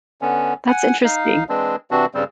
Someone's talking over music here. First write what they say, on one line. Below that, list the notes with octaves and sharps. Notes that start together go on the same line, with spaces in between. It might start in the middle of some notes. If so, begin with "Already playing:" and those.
that's interesting.
D3 B3 C#4
F#5 G#5
D#4 F5
E3 G#3 C4 D4
C3 E3 C4 D4 F#4
G2 C#3 G3 C4